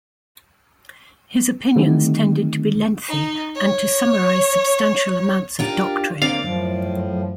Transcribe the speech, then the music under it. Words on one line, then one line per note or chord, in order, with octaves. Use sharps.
His opinions tended to be lengthy and to summarize substantial amounts of doctrine.
D3 D#3 G3 A3 C4 D#4
D#4
C#5
D4 F4 G4 A#4
D3 A#3 C4 D5 F5
F#2 A2 F3